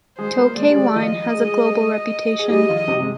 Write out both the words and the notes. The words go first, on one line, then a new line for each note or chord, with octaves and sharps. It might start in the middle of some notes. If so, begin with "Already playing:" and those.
Tokay wine has a global reputation.
G#3 G#4 C5
A#3 A#4
G#3 G#4 D5
G4
G#3 G#4
F3 F4 D#5
G#3 G#4
G#4
G3 G4 D#5
F3 F4
C3 C4
G#3